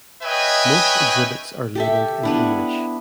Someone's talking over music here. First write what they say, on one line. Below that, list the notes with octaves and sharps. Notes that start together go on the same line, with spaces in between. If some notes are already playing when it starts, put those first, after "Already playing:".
Most exhibits are labelled in English.
B4 C#5 D#5 E5 G5 G#5
G4 A4 E5
B3 D4 E4